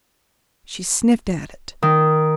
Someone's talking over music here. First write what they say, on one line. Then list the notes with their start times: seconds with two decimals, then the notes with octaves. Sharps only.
She sniffed at it.
1.83 D#3